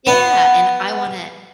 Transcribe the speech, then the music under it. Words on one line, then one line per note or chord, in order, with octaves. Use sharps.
Yeah, and I wanna ,uh
B3